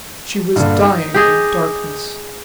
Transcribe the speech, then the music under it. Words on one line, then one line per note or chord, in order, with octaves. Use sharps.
She was dying in darkness.
G2 A#2 D3
D#4
G4 G#4 D#5